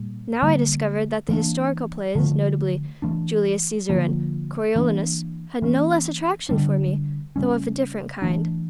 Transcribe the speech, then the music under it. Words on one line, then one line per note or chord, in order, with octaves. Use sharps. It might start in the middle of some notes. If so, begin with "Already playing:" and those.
Now I discovered that the historical plays, notably, "Julius Caesar" and "Coriolanus," had no less attraction for me, though of a different kind.
Already playing: A#2 G3
D3 G3 A#3
E3 A#3 D4
D3 F3 A3
E3 A3 D4
D3 F3 A#3
E3 A#3 D4
E3 A#3 C#4
D3 G3 D4
C#3 G3 C#4
E3 A3 D4